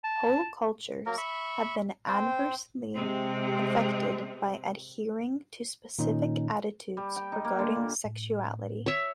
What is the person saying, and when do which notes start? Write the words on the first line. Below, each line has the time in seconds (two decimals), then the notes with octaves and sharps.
Whole cultures have been adversely affected by adhering to specific attitudes regarding sexuality.
0.04 A5
1.06 F#3 A#3 A#4
1.17 E5 B5 C#6
2.08 C4 C5 G5
2.98 C3 G#3 C4
5.99 A#2 D#3 C#4 D#4
6.97 G3
7.16 G5
7.32 D#4
7.44 A#3
7.59 D3
7.76 A#2
8.05 A2
8.86 C#5 E5